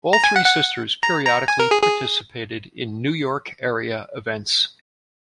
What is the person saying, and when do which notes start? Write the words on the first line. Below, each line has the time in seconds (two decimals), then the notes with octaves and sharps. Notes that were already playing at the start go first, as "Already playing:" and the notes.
All three sisters periodically participated in New York-area events.
0.13 A#5
0.24 G#5
0.36 F#5
0.46 F#5
1.03 A#5
1.26 A#5
1.48 G#5
1.60 A#4
1.71 G#4
1.82 G#4